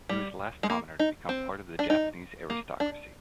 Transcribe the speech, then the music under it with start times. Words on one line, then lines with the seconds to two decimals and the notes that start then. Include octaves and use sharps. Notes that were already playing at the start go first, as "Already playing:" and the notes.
He was the last commoner to become part of the Japanese aristocracy.
0.09 G3
0.63 G#3
0.70 A#3
0.99 D#4
1.29 C4
1.79 D4
1.90 D#4
2.50 A#3
2.80 D4